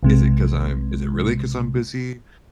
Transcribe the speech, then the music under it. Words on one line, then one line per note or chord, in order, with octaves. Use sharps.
is it 'cause I'm is it really 'cause I'm busy,
B1 C3 G#3